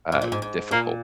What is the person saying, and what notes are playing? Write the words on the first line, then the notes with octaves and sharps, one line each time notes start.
uh, difficult.
G#2
A#2
G#2
G#2
A#2 A#3